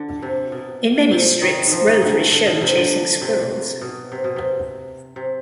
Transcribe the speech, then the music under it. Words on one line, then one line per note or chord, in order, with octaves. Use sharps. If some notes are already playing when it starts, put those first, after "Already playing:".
In many strips Rover is shown chasing squirrels.
Already playing: D3
C3
B2
C3
D#3
D#3 F3
D#3
D3
D3
B2
C3
D3
C3
B2
C3
B2
C3
C3